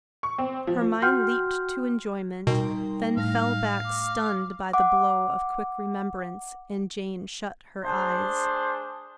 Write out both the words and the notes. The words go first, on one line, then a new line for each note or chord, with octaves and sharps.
Her mind leaped to enjoyment, then fell back stunned by the blow of quick remembrance, and Jane shut her eyes.
C#6
C4
F3
F#4 F#5 G5 C6 F6 G6
B2 G3 D#4 A#4 G5 C6
A2 F5 A#6
D6
F#5 D6
A3 D4 G#4 C5